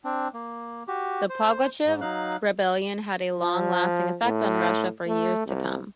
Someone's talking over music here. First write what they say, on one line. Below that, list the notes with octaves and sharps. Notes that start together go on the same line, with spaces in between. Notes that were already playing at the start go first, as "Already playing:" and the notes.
The Pugachev rebellion had a long-lasting effect on Russia for years to come.
C4 D4
A#3
F#4 G4
C5
G#2
F#3 D#4 F5 F#6
F3
A2
A3
C2